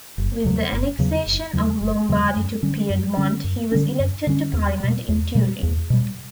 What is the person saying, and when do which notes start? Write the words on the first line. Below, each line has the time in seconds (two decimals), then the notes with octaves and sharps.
With the annexation of Lombardy to Piedmont he was elected to Parliament in Turin.
0.18 F#1
0.44 E2 C#3 F#3
0.73 F#1
0.99 E2 C#3 F#3
1.26 F#1
1.53 E2 C#3 F#3
1.81 F#1
2.09 E2 C#3 F#3
2.36 F#2
2.63 D3 G3 C#4
2.90 F#2
3.17 D3 G3 C#4
3.44 F#2
3.72 D3 G3 C#4
4.00 F#2
4.27 D3 G3 C#4
4.53 E2
4.80 B2 G3
5.09 E2
5.35 B2 G3
5.63 E2
5.90 B2 G3